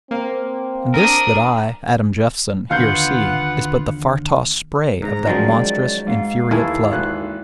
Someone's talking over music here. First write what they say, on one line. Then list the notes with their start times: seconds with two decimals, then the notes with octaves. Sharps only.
And this that I, Adam Jeffson, here see is but the far-tossed spray of that monstrous, infuriate flood.'
0.11 A#3 C4
0.94 D4 A#4 D#6
2.71 D#2 D3 B3 F4 F5 F#5 G6
5.02 G#2 A#5
5.27 D#3 F3 F#3 G#3 C#4 D5
6.07 G#2 F5
6.51 D#2 E3 E4 A4 G#5
6.90 G#1 E3 F#6